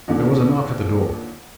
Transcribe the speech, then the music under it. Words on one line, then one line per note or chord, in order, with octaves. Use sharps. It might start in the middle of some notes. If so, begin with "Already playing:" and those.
There was a knock at the door.
D#2 A#2 D3